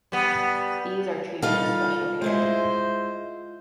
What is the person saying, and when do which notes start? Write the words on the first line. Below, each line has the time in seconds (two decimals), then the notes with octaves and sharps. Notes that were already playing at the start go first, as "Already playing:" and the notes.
These are treated with special care.
0.12 G3 B3
1.42 G3 D#4 F4 A4 F5
2.22 G#3 E4 C5 D#5